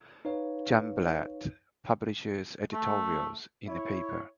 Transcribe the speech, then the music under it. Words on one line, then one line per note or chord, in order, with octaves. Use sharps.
Jumblatt publishes editorials in the paper.
D#4 B4 C#5 F5
A3
E4 C#5